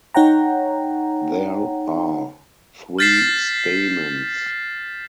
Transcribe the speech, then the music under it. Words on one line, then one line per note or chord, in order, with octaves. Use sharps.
There are three stamens.
D#4 C#5 F#5 G5 A#5
F6 G6 A6 B6 C7 E7